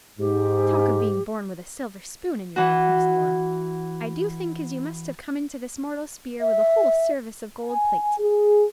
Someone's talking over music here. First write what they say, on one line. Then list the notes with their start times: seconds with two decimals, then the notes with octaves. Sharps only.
Talk of being born with a silver spoon in your mouth, Miss Laura; I do think as you must have come into this mortal spear with a whole service of gold plate.
0.20 G#2 G4
2.56 E3 F#4
6.41 E5
7.65 G#5
8.18 G#4